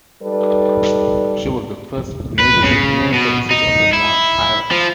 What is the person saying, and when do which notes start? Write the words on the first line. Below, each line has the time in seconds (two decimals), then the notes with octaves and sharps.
She was the first Navy ship named for the city of Des Moines, Iowa.
0.22 G3 D#4 A4 B4 D5
2.40 B4
2.64 C#3
3.13 B2
3.51 D#4
3.93 E4
4.71 F3